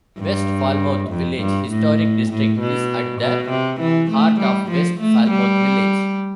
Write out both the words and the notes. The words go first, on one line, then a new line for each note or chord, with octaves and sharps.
West Falmouth Village Historic District is at the heart of West Falmouth Village.
G2
F2
G2
A2
A2
B2
B2
C3
E3
A3
G3
F3
A3
G3